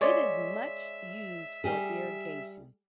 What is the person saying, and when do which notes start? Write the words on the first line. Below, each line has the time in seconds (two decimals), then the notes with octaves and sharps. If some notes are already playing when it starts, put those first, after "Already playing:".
It is much used for irrigation.
0.01 G#3 C#5 D5 E5
1.64 G3 G4 G#4